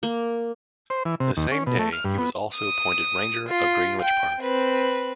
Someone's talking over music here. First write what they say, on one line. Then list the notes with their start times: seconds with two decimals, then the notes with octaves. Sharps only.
The same day he was also appointed Ranger of Greenwich Park.
0.03 A#3
0.90 C5
1.05 E3
1.20 C3
1.37 D#2
1.52 C#4
1.67 B2
1.79 A3
1.93 F6
2.05 G2
2.18 B3
2.56 D#6
3.49 F4
4.01 G5
4.41 C4 B4